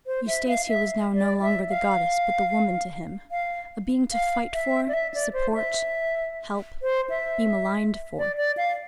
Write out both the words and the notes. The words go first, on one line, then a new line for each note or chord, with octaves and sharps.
Eustacia was now no longer the goddess but the woman to him, a being to fight for, support, help, be maligned for.
C5
E5
F5
E5
D5
E5
F5
F5
F5
E5
D5
E5
D5
C5
E5
C5
E5
D5
D5
F5